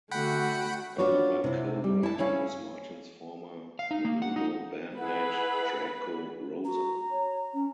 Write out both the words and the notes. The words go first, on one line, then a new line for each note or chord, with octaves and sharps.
Another co-writer was Martin's former Menudo bandmate Draco Rosa.
D3 A3 F#4 F#5 G5 B5
D4 F4 F#4 B4 C#5
C3 E4
G3
E4 A5
C#4 E4 C#5 F5
F5
D#4
A#3
F#5
D#4
E4 G#4 B4 F#5 B5
F#4 A#5
C#5
C#4